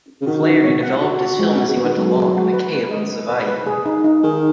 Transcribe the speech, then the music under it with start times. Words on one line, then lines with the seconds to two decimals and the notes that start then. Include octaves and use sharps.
Flaherty developed his film as he went along, in a cave on Savai'i.
0.21 C#3
0.26 D#3 F#4
0.45 F#4
0.64 C#5
0.83 F#5
1.02 F#4
1.21 F#4
1.39 F3 G#3
1.54 C#3
1.59 F#4
1.68 C#3
1.77 B3
1.83 D#3
1.97 F#3 G#3
2.15 G#3
2.35 F#4
2.54 B4
2.73 B4
2.91 D#5
3.10 B4
3.29 B4
3.48 B4
3.67 G#4
3.86 D#4
4.04 D#4
4.23 D#3 G#4